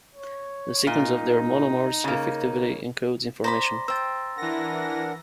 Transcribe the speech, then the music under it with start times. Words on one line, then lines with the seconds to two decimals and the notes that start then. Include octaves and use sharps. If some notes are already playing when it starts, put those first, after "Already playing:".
The sequence of their monomers effectively encodes information.
0.15 C#5
0.87 A#2 D#4
2.04 C#3 A#3
3.44 C5 D5 A#5 B5 A#6
3.88 C5 G5 E6 A6
4.38 E3 D4 A#4 F#5 A#6